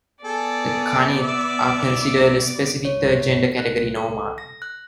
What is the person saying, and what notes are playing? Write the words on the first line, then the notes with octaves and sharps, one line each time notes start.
The "khanith" are considered a specific third gender category in Oman.
B3 G#4 A4 D5
E5 D6
C#5
F#6
A4
A#6
F#6